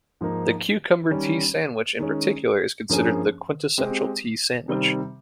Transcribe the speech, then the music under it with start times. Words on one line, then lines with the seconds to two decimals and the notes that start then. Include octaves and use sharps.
The cucumber tea sandwich in particular is considered the quintessential tea sandwich.
0.21 G#2 F3 A#3 D#4
1.10 D#3 G3 C#4
1.99 D#3 G#3 C#4
2.89 G2 F3 A#3 C#4 G#4
3.78 G#3 C4 G4
4.68 C3 D#3 G3 C4